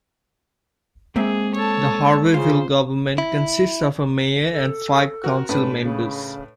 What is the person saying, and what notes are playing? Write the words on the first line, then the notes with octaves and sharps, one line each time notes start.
The Harveyville government consists of a mayor and five council members.
G#3 A#3 C4 G#4 E5
A4 C#5 A5
C#3 F4 C5
E4
A4
F#4 A#4
A2 G#3 D4 B4
C#3